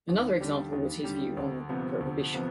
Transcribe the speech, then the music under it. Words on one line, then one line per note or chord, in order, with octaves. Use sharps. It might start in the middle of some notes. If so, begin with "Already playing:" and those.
Another example was his view on prohibition.
D#2
D3 G3 D4
D#2
D3 G3 D4
D2
C3 F3 B3
D2
C3 F3 B3